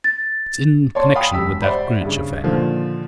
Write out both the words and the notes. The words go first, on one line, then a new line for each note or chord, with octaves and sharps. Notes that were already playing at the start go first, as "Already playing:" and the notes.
"It's in connection with that Greenwich affair."
A6
C#5 D5 A5 C6 C#6
F5 G5 G#5 B5 D#6
E1 G4 E6 B6
C5 D5 E5 F#5 B5
G2 C#3
A#2 D3 D#3 F3